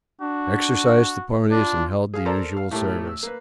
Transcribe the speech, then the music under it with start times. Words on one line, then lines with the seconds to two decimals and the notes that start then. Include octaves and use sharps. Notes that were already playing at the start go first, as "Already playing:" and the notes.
Exercised the ponies and held the usual service.
0.21 D4 F#4
1.51 D4 F4
2.14 G#4 F5
2.25 A4 A#4 C5 D5 A5 A#5
2.57 F5
2.71 A2 A3 A#3 G4
3.07 E6
3.23 A#3 B4